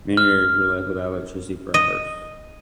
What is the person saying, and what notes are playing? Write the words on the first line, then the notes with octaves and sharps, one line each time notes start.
Many areas were left without electricity for hours.
F6
D#5